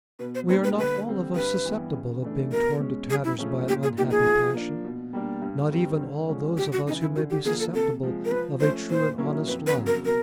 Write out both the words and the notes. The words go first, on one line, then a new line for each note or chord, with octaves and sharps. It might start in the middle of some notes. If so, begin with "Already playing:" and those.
We are not all of us susceptible of being torn to tatters by an unhappy passion; not even all those of us who may be susceptible of a true and honest love.
B2 B4
C5
G3 A#3 D4 C5
B4
D3 B4
G3 C4
G2 B4
E3 G3 B3
C#3
E3 A3 D4
B2 A#4
G#3 C#4
F#2 G#4
E4
C#3 F3 A3 C#4
A#2 G4
G#4
F3 A#3 D#4 G4
G#4
F3
A#3 D4
B2
G3 A#3 D4
G2
D#3 G3 C4
D3
F3 G#3 C#4
F#2 G4
F#4
C#3 E3 D#4
E4
D3 F#4
G4
F3 A#3 G#4
A4
C3 A4
F3 G#3
A#4
F3 B4
A3 C#4 C5
A#2 C5
F#3 A#3 C#4 E4
F2 B4
B4
C#3 F#3 B3
A#4
B2 A#4